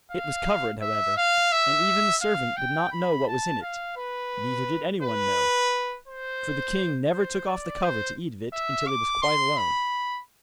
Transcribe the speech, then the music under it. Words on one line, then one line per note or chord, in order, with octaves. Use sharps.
It was covered, however, and even the servant did not know what was in it, neither did anyone know, for the king never took off the cover to eat of it until he was quite alone.
F5
E5
F5
E5
F5
G5
B5
A5
F5
B4
B4
C5
C5
D5
C5
E5
D6
C6
B5